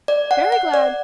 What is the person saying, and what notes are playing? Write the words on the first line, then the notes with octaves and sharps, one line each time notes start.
Very glad!
D5
F#5
F#5
D5